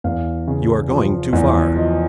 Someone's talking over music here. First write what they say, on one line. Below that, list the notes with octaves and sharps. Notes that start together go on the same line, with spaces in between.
You are going too far!
E2 F5
C#3
F3
E2
F3 D#5